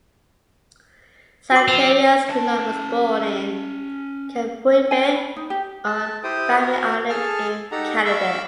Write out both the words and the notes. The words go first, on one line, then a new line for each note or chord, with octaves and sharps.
Zacharias Kunuk was born in Kapuivik on Baffin Island in Canada.
F#4 C5 D6
F4 C5 E6
C#4 A5
G#5
B5
D#4
G4
A5
E4 G4 C5 G5 D#6
F#4 A#4 C#5
G#4 A4 A5 F6
D#4 G4 A4 F#5 A#5
E5 F5 B5 C#6 D6 E6